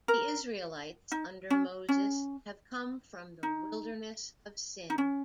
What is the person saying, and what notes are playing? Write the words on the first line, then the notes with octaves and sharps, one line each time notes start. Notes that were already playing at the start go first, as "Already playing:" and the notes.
The Israelites under Moses have come from the wilderness of Sin.
A#4
D#4
C#4
C#4
D#4
D#4
C#4